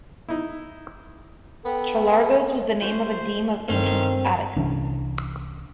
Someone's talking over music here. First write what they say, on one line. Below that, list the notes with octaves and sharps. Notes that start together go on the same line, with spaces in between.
Cholargos was the name of a deme of ancient Attica.
D#4 E4
B3 A4 G5
F4 C5 C#5 F#5
G2 D#3 C4 C#4 A4 F5 C6 G6
C2 E3 C#4 D4